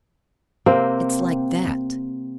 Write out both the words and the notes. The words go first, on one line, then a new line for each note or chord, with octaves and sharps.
It's like that.
C3 A#3 C4 A#4